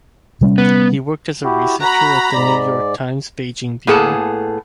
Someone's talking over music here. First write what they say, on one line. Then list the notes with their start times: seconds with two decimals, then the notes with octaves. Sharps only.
He worked as a researcher at "The New York Times" Beijing bureau.
0.41 C3 G3 C#4
0.58 B3
1.44 E4 F#4 G4
1.81 F#4 A#5 B5 F#6
2.34 G#2 D5
3.87 A2 A#3 B3 G#4 A4 A5